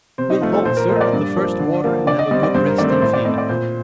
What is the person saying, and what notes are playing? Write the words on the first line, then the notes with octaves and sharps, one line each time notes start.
"We'll halt, sir, at the first water, and have a good rest and feed."
C3 C5
D#4
F3 A3 C4 F4
A4
A#2 C5
A#4
F3 A#3 C5
D#5
D5
G2
F3 A#3
D3
F3 A#3
D3 D5
D#5
G3 C4 D#5
D5
G2 C5
A#4
D#3 A3 C4 D5
C5
A2 C5
D5
A3 C4 D#5
D5
A#2 C5